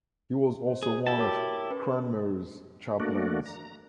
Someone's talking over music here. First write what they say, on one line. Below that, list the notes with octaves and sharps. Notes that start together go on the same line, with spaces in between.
He was also one of Cranmer's chaplains.
C5
G#4
E4 F#4 G4 E5 A5
A#4 C#5 D6
C#4 B4
A3 A#3 D4 F#4
A#5